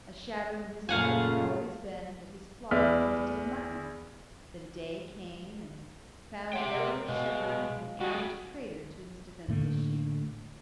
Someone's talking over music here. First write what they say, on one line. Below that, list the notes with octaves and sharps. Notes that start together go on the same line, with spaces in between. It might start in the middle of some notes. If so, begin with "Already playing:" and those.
A shadow in his life had always been that his flock ended in mutton--that a day came and found every shepherd an arrant traitor to his defenseless sheep.
F#2 A#2 C#3 A3 F4 F5 F#5 G#5
E2 B4 D5 E5 F6
G4 C#5 E5 F#5 G5 C6
A#4
B2 G#3 F5
G3 F#4 G#4
A2 D3 A3 A#3